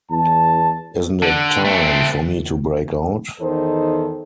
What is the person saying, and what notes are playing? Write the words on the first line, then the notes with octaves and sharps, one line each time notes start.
Isn't it time for me to break out?
E2 A5
D3
A3 C4
E2 D#3 D#4 A4 C5